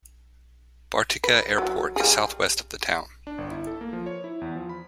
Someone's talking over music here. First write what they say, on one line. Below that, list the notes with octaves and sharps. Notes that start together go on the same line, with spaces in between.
Bartica Airport is southwest of the town.
B4
F#3
G3 G#4
D4
G1
E4
A4
A#3
F3
C#5
E4
E2
F3
B5